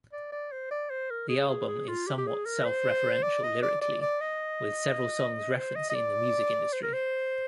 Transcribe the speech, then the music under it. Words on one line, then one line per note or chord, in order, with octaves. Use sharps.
The album is somewhat self-referential lyrically, with several songs referencing the music industry.
D5
D5
C5
D5
C5
A#4
G#4
G#4
G#4
F4
G4
G4
G#4
A#4
C5
D5
D#5
D5
D5
D5
D#5
C5
D#5
D#5
D5
C5
A#4
C5